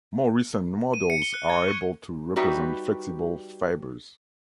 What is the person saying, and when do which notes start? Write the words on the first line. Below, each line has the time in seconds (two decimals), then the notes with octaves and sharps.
More recent models are able to represent flexible fibers.
0.94 D#7
1.10 C#7
1.22 G7
1.34 F#6
1.50 G#6
1.68 C#6
2.36 G3 D#4 F#4 B4 E5 G5